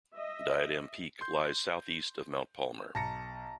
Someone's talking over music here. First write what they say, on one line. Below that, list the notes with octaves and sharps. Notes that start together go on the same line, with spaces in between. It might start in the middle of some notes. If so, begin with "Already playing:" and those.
Diadem Peak lies southeast of Mount Palmer.
D#5 E5
C6 G6
B1 A5 A#5 A#6 C#7